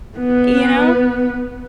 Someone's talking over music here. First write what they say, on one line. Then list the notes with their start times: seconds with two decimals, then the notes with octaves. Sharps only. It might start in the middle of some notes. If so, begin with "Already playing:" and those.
You know?
0.18 B3 B4